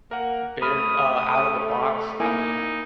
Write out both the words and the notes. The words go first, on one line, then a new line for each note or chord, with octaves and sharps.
B Bear, uh, Out of the Box. I mean,
A#3 A#4 F#5
A3 B5 D#6 F6
A#3 D#4 E4 G#5